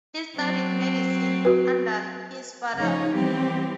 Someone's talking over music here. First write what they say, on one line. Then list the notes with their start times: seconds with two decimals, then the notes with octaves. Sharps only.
He studied medicine under his father.
0.37 F#3 C4
1.45 F#4 B4
2.75 C#3 F3 A3 D#4 C#5
3.15 E3 G3 B3 C4 G4